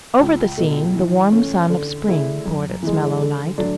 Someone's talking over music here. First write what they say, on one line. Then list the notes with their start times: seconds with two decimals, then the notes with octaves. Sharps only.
Over the scene the warm sun of spring poured its mellow light.
0.19 C#2
0.57 B2 A3
0.95 E3
1.32 A3 C#4
1.70 D3
2.07 A3 E4 G#4
2.45 F#2
2.83 E3 G#3
3.21 D3
3.58 F#3 A3 D4